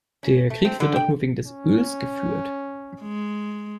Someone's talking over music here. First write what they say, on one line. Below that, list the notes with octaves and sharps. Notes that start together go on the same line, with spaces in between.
Der Krieg wird doch nur wegen des Öls geführt.
C#4
A3
C4
D3
G5
C#4
G#3